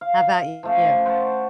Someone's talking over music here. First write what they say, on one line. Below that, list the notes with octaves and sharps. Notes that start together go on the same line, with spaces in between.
How about you?
F5
F3 A3 C#4
C5 F#5 A5 C#6